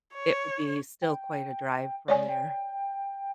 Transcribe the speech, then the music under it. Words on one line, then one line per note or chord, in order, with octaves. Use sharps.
it would be still quite a drive from there.
C#5
G5
G#3 C#5 D5 G#5
G5